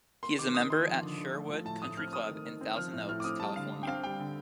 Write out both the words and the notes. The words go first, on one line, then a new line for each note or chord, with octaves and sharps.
He is a member at Sherwood Country Club in Thousand Oaks, California.
A#3 C6
D#3 D6
A#3 D#6
D#3 C6
F3
D3
D3
A3
F3
A2 A5
A2 D#6
C4 F6
A3 D#6
D#3
D#3
C4
F3 F6
A2
A2 F6
D6
C4 D#6
G3 A5
D3 F5
D3
G5
C4 F5
G3 G5
D3